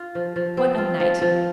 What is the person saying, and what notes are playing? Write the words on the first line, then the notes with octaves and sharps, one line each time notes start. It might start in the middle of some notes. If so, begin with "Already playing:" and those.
What a night!
Already playing: F4
F3
F3
C4
F4
F3
F3